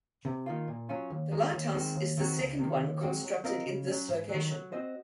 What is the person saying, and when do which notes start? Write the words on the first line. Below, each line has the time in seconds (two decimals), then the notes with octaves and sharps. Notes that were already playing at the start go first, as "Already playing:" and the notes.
The lighthouse is the second one constructed in this location.
0.25 C3
0.46 D#3 A#3 F4
0.68 A#2
0.89 F#3 C#4 F4
1.10 D#2
1.32 D#3 G#3
1.53 D#2
1.74 D#3 G#3 C4
1.95 D#2
2.17 D#3 F#3 C4 F#4
2.38 C#2
2.59 C3 D#3
2.81 D#2
3.01 D#3 G#3 C4 F#4
3.23 F#3
3.44 C4 F4 A#4 D#5
3.66 C#3
3.87 F#3 C#4
4.09 G#2
4.29 D#3 F#3
4.51 F#3
4.72 C4 F#4 C5 D#5